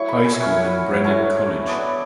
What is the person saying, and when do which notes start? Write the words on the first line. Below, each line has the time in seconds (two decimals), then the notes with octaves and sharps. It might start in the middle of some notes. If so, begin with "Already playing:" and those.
High School and Brennen College.
Already playing: F#3 A3 E4 C#6
0.08 B5
0.25 G#5
0.34 E5
0.40 F#3 C#4 E4 F#5
1.04 F#3 A3 C#4 E4
1.67 F#3 B3 D4 D5